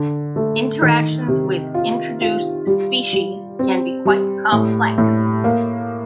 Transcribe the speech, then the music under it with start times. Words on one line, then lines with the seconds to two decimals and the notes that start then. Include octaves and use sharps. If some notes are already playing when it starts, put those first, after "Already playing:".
Interactions with introduced species can be quite complex.
Already playing: D3
0.36 A3
0.82 D#3
1.28 C3
1.74 F4
2.21 F4
2.67 G3
3.13 G3
3.59 C4
4.05 G3
4.52 A2
4.98 A2
5.44 A#3